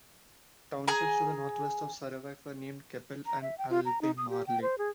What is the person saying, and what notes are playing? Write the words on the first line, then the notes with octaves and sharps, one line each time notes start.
Townships to the northwest of Sarawak were named Keppel and Albemarle.
G#4 G#5 A#5
A#5
E5
G5
F4
A#5
D#4
D#6
G4
G5
C5
G#4